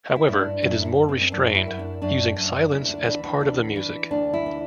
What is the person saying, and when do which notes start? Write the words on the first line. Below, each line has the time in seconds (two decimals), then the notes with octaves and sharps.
However, it is more restrained, "using silence as part of the music".
0.16 E4
0.28 G2
0.39 D4
0.62 F#2 E4
0.85 D4
0.97 F#2
1.09 C4
1.21 C4
1.32 F#2 D4
1.55 E4
1.67 F#2
1.79 D4
2.02 F#2 D4
2.36 F#2
2.71 D2 E4
2.88 D4
3.06 E3 D4
3.23 D4
3.41 D2 D4
3.76 E3
4.11 D2 D4
4.33 E4
4.46 E3